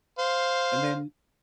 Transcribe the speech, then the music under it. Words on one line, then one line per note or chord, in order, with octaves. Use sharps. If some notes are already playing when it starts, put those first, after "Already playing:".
And then
C5 F5